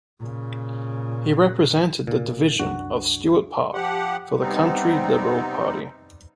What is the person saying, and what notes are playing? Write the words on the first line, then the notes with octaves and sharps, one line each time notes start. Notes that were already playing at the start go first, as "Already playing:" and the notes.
He represented the division of Stuart Park for the Country Liberal Party.
A#2 C#3
A#2
C2 F#2 D4 F#4
F3 G4 F#5
C3 G3 B3 C4 D#4